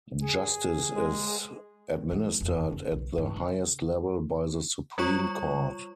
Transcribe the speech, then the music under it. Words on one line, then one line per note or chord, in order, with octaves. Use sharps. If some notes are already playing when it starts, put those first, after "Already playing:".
Justice is administered at the highest level by the Supreme Court.
G#4
G#3
E3 F#3
F1 E2
C#4
B1
G2 E4
C#3
G3 F4 C#5 C#6